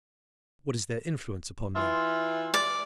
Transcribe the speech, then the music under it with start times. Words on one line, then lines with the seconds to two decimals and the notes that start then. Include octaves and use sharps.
What is their influence upon men?
1.76 E3 F4 E5
2.54 D5